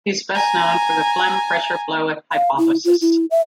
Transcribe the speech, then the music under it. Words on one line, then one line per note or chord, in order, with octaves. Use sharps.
He is best known for the phloem pressure flow hypothesis.
G#5 A#5
F5
E4
F4
E4
E5